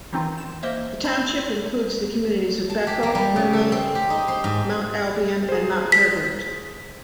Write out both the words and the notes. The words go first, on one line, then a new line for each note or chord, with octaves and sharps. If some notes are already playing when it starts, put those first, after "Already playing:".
The township includes the communities of Bethel, Mermaid, Mount Albion and Mount Herbert.
D#3 E3 C4 D#4 F4
E7
A#3 C5 D#5 E5
C4 B5
A5
G4
A#3
G3
C#3
A4
C4
G4
D#4
C5
G#2
G#4 C5
B6